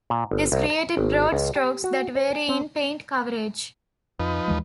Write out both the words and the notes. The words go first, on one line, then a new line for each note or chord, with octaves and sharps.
This created broad strokes that vary in paint coverage.
A#2
G1
C2
A#5
G#1
C#2
G4
F#4
C5
G#5
C4
F2 F3 D#4 B4
D#2 E3 G#3